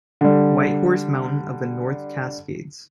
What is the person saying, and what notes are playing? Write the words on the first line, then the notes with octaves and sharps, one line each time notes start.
Whitehorse Mountain of the North Cascades.
D3 G3